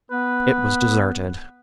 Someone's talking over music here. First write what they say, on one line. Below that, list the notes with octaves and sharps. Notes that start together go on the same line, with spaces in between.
It was deserted.
B3 B4